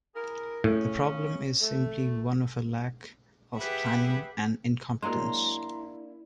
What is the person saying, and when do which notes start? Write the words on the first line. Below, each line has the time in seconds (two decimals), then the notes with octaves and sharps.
The problem is simply one of a lack of planning and incompetence.
0.15 E4 G#4 A#4
0.64 A2 C#3 C#4
1.61 A3
3.55 G4 G#4 B4 E5 F#5
5.02 F#3 G#3 A#3 D4 E4 A#5 C6